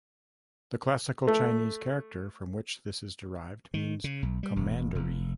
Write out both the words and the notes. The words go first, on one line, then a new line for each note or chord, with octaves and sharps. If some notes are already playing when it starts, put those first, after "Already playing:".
The Classical Chinese character from which this is derived means commandery.
A3
D#3
C#3
B1
G3
E1
F1